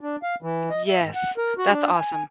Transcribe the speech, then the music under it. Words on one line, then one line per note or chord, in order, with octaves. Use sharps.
Yes, that's awesome.
D4
F5
E3
D#5
E5
G#2
F#5
A#4
F#4
D4
G#5
G#5